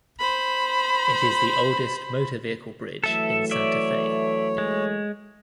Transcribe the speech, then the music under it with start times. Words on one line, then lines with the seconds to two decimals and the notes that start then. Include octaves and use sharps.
It is the oldest motor vehicle bridge in Santa Fe.
0.19 C5 B5
3.04 E3 F#3 A3 A4 E5
3.51 C#5 D5 E5
4.58 G#3